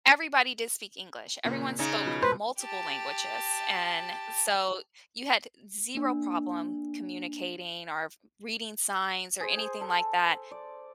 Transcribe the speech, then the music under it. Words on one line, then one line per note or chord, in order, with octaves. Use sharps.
everybody did speak English, everyone spoke multiple languages, and so you had zero problem communicating or reading signs or anything like that.
A#2 C#3 A#3
C#3 D#4 D#5
B2 F3 B5
B4 C5
G4 A5
A#3 D4
G#4 C5
G#5
A4
D5